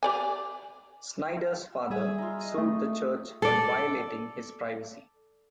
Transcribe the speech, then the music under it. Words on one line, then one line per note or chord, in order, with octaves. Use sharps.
Snyder's father sued the church for violating his privacy.
G4 D5 G#5
G3 G#4 E5 E6
D#4 F4
D#5
A3
A4 D5